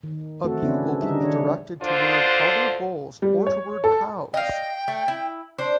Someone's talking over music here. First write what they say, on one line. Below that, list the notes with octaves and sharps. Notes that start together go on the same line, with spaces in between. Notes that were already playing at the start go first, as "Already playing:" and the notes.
A bugle can be directed toward other bulls or toward cows.
D#3
A3 C4 F#4 A4
C#3 E3 C#4 D4 E4
D3 G3 D#4 E5
D#3 D4 C#5
D2 D3 D4 F4 C5
G3
C#5
A4
D#5 F5 G5
A3
E4
D4 C5